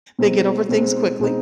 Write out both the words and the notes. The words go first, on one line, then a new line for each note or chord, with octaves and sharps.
they get over things quickly,
B2 G#3 C4 D#4
B2 G#3 C4 D#4
B2 G#3 C4 D#4